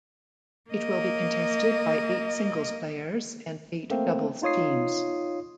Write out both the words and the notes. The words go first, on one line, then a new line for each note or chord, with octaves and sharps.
It will be contested by eight singles players and eight doubles teams.
A#3 D#5
A3 A#3 C4
D#4 F4 C#5 D#6 C7